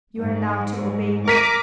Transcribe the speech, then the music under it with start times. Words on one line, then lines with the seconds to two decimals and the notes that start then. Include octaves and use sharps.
You are now to obey me.'
0.19 G#2
1.28 A#4 D6 B6 D#7